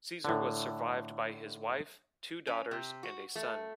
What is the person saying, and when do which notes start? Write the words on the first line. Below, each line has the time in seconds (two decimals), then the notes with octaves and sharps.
Caesar was survived by his wife, two daughters, and a son.
0.25 A2 D3
2.47 C#4
2.71 C3
3.03 F#4
3.35 A3